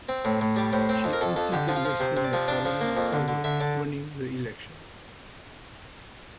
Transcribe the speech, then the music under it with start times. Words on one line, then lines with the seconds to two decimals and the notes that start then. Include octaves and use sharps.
She unseated Weston the following October, winning the election.
0.09 C4
0.25 A2
0.41 A2
0.56 G3 D5
0.73 A2 C5
0.89 C4 C5
1.04 F2
1.13 A#4
1.21 F2 A4
1.36 F2 A4
1.52 D3 G4
1.68 F3
1.76 F4
1.85 F3
2.00 C3 C5
2.17 C3
2.24 D5
2.33 F3
2.48 D4 D5
2.65 F3
2.81 A#3
2.97 F2
3.13 D3
3.28 D3
3.44 D3 E5
3.60 D3 D5